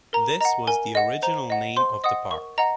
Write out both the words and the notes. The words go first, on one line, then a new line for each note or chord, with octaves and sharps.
This was the original name of the park.
A#4 A#5
D#5 F#5 A#5
A#4 G#5
D#5 F#5
C5 A#5
D#5 F#5
C5 C6
D#5 F#5 D#6
A#4 C#6
D#5 F#5 A#5